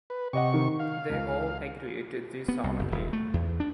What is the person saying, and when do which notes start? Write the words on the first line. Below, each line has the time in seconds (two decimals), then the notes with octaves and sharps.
They all agreed to this solemnly.
0.10 B4
0.33 C3 G4 D#5 F#5 C#6
0.54 D#3
0.80 F5
1.10 C#2
2.48 B3
2.64 C2
2.79 F#1
2.92 D#1
3.13 A3
3.34 E2
3.60 D4